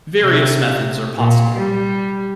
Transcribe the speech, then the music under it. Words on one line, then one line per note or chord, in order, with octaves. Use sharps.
Various methods are possible.
C3
A#2
G3